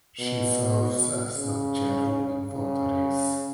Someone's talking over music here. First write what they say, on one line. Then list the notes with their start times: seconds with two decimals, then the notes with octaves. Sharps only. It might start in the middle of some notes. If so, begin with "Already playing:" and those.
She serves as the chairwoman for the race.
0.20 B2
1.36 C#3
2.52 C#3